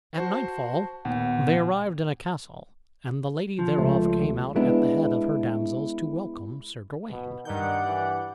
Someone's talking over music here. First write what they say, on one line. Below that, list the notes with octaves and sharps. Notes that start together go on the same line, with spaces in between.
At nightfall they arrived at a castle and the lady thereof came out at the head of her damsels to welcome Sir Gawain.
F#4 C5 A5
D#2 A#2 B3 F#5
F3
C#2 A3
G#3 B3 D4 E4
B2
G2 D#3 D5 F#5 G6
E3